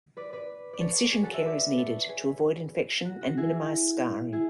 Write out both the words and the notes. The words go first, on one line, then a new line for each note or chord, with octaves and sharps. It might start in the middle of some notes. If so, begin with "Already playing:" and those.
Incision care is needed to avoid infection and minimize scarring.
B4 D5
B4 D5
D5
A4 C#5
G#4 B4
F#4 A4
C#5 E5
B4 D5
A4 C#5
G#4 B4
F#4
F#4
E4 G#4
E4 G#4